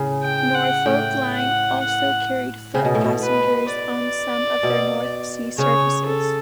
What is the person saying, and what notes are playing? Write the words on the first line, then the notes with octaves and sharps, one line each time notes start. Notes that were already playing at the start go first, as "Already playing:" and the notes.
Norfolkline also carried foot passengers on some of their North Sea services.
Already playing: A2 C#3
G5
F#5
A2 G5
F#5
F#5
C#3
B2
A2
B2
B4
D5
B2
C#3 C#5
A4